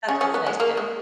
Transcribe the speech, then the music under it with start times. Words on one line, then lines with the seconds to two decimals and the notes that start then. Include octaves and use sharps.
That sounds nice too.
0.09 C#3 C#4
0.21 C#3 C#4
0.34 B3
0.47 G#3
0.60 A#3
0.77 G#3